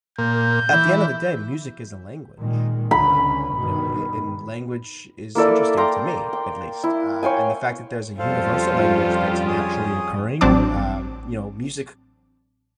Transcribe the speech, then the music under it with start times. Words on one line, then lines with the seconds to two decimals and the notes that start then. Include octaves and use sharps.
at the end of the day, music is a language, um, you know, a and language is interesting to me, at least, uh, and the fact that there's a universal language that's naturally occurring, um, you know, music
0.18 A#2 G6
0.73 E3
2.40 A#2 D#3 G#3
2.91 C#2 D3 C#4 B5
3.53 G2 B2 D#3
5.35 A#3 E4 A4 D5
5.77 F5 G5 A#5 C6
6.33 G5
6.84 E4
7.23 C#5 F5 G5 G#5
8.19 F2 G3 C#4 F4 A4 C5 F5
9.47 G#4 C#5 D#6
10.41 A1 F#3 C4 D4 A5 D6